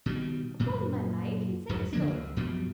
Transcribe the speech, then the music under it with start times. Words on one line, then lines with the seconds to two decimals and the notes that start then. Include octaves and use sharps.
'Upon my life, he said so!
0.06 B2 D#3 G3
0.60 F#2 A#2
1.69 F2 G#2 C#3 F#3
1.93 C#3 F3 A#3 D4
2.11 C#2
2.37 F#2 B2 F3 G3